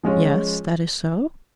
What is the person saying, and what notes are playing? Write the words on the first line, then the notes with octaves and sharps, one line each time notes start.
"Yes, that is so."
F3 G#3 C#4 F4